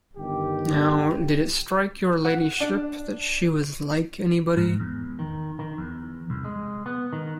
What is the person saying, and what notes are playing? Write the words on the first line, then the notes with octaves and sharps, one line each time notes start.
Now, did it strike your ladyship that she was like anybody?
G1 D#3 G4
F#5
D4
G#2
E2
D#3
D#3
E2
C2
G#3
B3
D#3